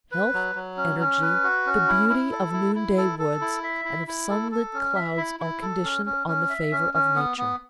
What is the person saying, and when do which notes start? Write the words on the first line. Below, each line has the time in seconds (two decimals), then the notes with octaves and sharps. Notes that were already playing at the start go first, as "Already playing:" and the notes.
Health, energy, the beauty of noonday woods and of sunlit clouds are conditioned on the favor of nature.
0.12 B4
0.34 F#3
0.55 F#3
0.77 C#4
1.00 C#4
1.22 B4
1.44 F#4
1.66 C#4
1.88 E4
2.09 E4
2.32 A4
2.53 E4
2.75 E4
2.98 A4
3.19 A4
3.41 E4
3.64 E5
3.85 E4
4.08 E4
4.30 A4
4.52 A4
4.74 C#4
4.96 E5
5.17 E4
5.40 E4
5.62 A4
5.84 C#4
6.06 C#4
6.27 C#4
6.50 E5
6.71 C#4
6.94 C#4
7.16 B3
7.38 B3